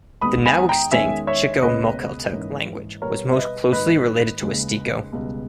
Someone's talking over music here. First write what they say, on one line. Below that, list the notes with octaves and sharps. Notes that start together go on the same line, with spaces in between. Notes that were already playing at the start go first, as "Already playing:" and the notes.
The now-extinct Chicomuceltec language was most closely related to Wasteko.
E2 D#3 G#3 B3 B5 D#6
G#5 B5
G5 A#5
E2 D#3 G#3 C#4 E5 G#5
C#5 E5
C#2 B2 A#3 C#4 B4 D#5
G#2 E3 A#3 C#4
B2 G3 B3 A#4 C#5
E5
B4 D#5
G#2 D#3 A#3 B4 D#5
D#2 C#3 G#3
C#2 B2 G3